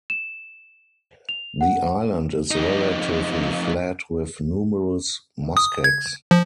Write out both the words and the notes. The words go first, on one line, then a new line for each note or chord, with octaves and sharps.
The island is relatively flat with numerous muskegs.
E7
F7
F#5
F2 D#4
D#6
G#6
F3